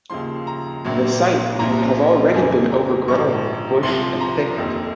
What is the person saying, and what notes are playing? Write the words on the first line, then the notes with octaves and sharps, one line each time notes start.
The site would have already been overgrown with bush and thicket.
D#2 C#3 F3 C6
A#5
A#1 A#2 F#3
C2 A#2 F3 A#5
F1 F2 C#3 G#5
A#5
A#1 G#2 F3 C#6
C2 C3 F3 C6
A#5
F1 D#2 D#3